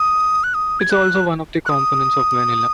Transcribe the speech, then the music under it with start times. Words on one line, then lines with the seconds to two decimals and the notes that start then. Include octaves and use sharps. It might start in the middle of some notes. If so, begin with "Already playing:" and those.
It is also one of the components of vanilla.
Already playing: D#6
0.44 F#6
0.54 D#6
0.80 G#6
0.91 F#6
1.66 F#6
1.69 D#6